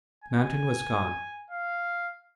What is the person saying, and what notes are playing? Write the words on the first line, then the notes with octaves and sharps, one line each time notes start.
Manton was gone.
G#5
F5